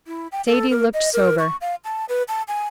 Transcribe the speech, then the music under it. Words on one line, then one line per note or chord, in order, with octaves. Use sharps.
Sadie looked sober.
E4
G5
A4
A#4
D#5
A#4
C#6
F5
A5
B4
A5
G#5